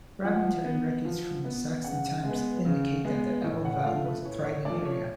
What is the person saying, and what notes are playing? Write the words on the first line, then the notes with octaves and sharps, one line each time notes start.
Fragmentary records from Saxon times indicate that the Ebble valley was a thriving area.
F3 F#5
B3
F3
B3
C#3 F#5
G#3
B3
C#3
G#3 B3
A2
F#5
F3 A3 F5
B4
A2 C#5
C#5
F3 A3 D5
C#5